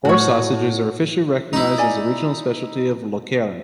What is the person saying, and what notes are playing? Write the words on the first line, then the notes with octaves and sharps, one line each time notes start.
Horse sausages are officially recognized as a regional specialty of Lokeren.
A2 F#4 C#5
D#4 E4
D5 G#5 A#5